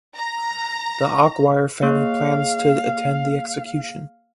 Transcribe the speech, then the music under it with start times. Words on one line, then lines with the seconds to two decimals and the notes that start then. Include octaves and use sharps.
The Aguirre family plans to attend the execution.
0.16 A#5
1.82 A#3 G#4 C#5 F5